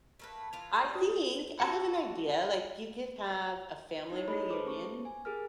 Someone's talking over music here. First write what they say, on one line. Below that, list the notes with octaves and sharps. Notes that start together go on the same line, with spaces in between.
I think I have an idea, like, you could have a family reunion,
A3 A#3 B4
E3 F4 F7
F3 G3
F#4
F#4 G4 A4 F#5
D#4 E4 C#5
A3 G#4 A4 D#5 B5
A4 B4 C5 D6
C#4 G4 C#6
G#5
G4 G#4 A#4 F6